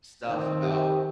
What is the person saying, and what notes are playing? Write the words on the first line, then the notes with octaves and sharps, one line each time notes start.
stuff about
D#3 C4
G4